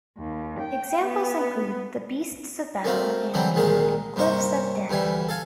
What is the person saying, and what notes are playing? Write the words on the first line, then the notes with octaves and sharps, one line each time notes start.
Examples include the "Beasts of Battle" and the "Cliffs of Death".
D#2
G5
B3
A3 A#3 C4 F4 F#4
D3 E3 F#3 G3 C4 D4
C2 A#2 D#3 G#3 G#4 F5
G2 C3 A#3 C5 C#6
D2 E3 G3 G#5
A4 F5 G#5